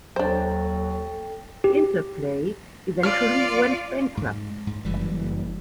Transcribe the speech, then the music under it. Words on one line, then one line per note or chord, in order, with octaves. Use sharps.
Interplay eventually went bankrupt.
D#2 F#3 D4 A4 C5 G5
G4
F4 D5 F6
G#2
G#2
F#1 E3 G3